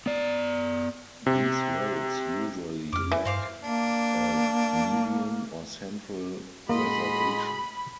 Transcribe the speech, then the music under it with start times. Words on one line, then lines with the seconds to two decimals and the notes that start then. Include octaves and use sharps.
These roads usually lack a median or central reservation.
0.06 B3 D5
1.26 C3
2.93 F2 D6 F6
3.12 E3
3.25 G2 C4 F5 D6
3.62 A#3 D4
6.69 A2 G#3 A#3 F#4 D#5 B5 C6